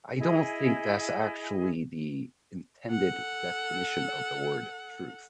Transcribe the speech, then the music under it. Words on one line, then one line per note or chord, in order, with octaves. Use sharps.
I don't think that's actually the intended definition of the word "truth."
E4 G#4 D#5 G#5
A4 F#5